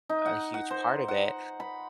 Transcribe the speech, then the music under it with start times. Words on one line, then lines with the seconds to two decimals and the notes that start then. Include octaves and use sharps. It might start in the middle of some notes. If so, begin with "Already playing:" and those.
a huge part of it,
0.09 D#4
0.26 F#5
0.54 F#5
0.71 C5
1.08 F#5
1.60 B5